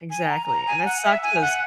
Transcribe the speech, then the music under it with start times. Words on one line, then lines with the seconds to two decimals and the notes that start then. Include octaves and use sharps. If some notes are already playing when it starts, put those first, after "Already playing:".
Exactly, and it sucks 'cause
0.10 G#5
0.29 A#5
0.48 A#5
0.67 G#5
0.85 F#5
1.04 E5
1.23 G#5
1.42 F#5